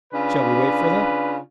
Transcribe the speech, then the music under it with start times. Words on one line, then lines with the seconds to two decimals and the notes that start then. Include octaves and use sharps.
"Shall we wait for them?"
0.13 C#3 D4 F4 B4